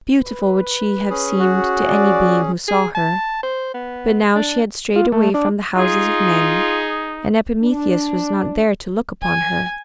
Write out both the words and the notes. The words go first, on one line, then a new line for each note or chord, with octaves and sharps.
Beautiful would she have seemed to any being who saw her, but now she had strayed away from the houses of men and Epimetheus was not there to look upon her.
B4
C#4 G#4
F#4
D5
G#4
A5
C5
B3
D4
F4
A3
D4
D#4 F4 G#4
D4
G#5